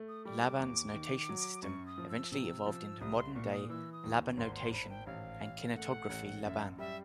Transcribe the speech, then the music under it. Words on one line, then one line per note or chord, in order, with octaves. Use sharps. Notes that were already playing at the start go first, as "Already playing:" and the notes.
Laban's notation system eventually evolved into modern-day Labanotation and Kinetography Laban.
Already playing: A3
D#6
G3 D6
D#2
D#3
F#3
F#2 C#6
D#6
F3
E6
C3 E6
F3
C2 D#6
C6
A#2 C#6
D#6
E3 E6
D#6
D#2
G#1 C6
C6
G#1 B5
G5
A1 F5
A1
A3 F#5
A1
F#2 E5
G3 E5